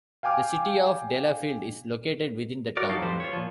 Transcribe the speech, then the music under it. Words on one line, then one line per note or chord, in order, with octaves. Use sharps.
The City of Delafield is located within the town.
F5 G5 G#5 D6 F6
F#4 A#4 D5
F#3 G3 D#4 A4 F5
F2 A2 F3 G3 B4 C5
F4 C#5
A#2 F3